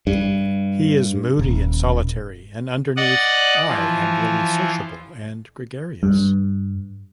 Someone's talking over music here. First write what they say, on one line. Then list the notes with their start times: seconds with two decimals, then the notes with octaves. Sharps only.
He is moody and solitary and underneath I am really sociable and gregarious.
0.07 G2
1.39 D#1
2.97 D5 D#5 F#5
3.68 E3 F3
6.03 G2